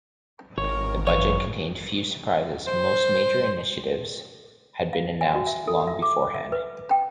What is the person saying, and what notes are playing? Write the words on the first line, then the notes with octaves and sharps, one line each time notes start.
The budget contained few surprises: most major initiatives had been announced long beforehand.
G#1 A#4 C#5
F#2 E3 C#5 F5
C5
F5
G#5
F#4
E5
A4
E5
D6
E5
B4
G5